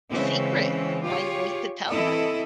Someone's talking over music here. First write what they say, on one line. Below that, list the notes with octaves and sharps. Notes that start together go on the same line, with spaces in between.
secret while you wait to tell them?
C#3 E3 G#3 C4 C#4
F4 G4 G#4 C#5
E3 C4 E4 A4 D#5